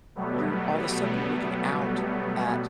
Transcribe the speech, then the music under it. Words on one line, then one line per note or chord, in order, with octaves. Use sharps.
you're all the sudden, you're looking out at
B2 F#3 G3 A3 B3